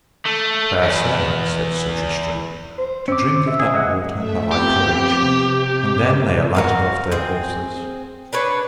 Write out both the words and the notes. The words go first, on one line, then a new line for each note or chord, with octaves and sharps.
Fair sir, said Sir Tristram, to drink of that water have I courage; and then they alighted off their horses.
A3
E2
C5
C4 C#4 D6
E5
G#4
G#3 D#5 F#5
A3 E5
F3 B3 C4 G4
C3
F#4 A#4 F5
C4 G#4
D4 B4 C#5